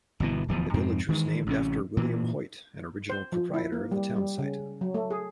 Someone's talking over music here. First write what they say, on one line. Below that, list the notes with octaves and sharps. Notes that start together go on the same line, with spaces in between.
The village was named after William Hoyt, an original proprietor of the town site.
G1 G2 B2 E3
D1 E2 E3 F3
F2 G#2 C3 C4
D#3 E3 G#3
A1 C3 C#4
A#2 E3
C5
F3
E4
A#3
G3
G3
C#3
F#3
A3
G#4